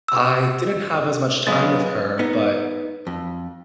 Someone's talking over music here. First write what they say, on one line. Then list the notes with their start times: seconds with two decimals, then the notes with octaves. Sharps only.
I didn't have as much time with her, but
0.08 E6
1.47 C#3 F#3 G#3 B3 A6
2.19 B3 D#4
3.07 F2